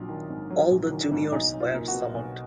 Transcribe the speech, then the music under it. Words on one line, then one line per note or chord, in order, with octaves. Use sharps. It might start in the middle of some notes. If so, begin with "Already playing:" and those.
All the juniors were summoned.
Already playing: A#1 F#3 F4
D#3
G#2
F#3
A#1
D#3
G#2
B1 D#4
B1
F4
A#3
F#4
B2
B1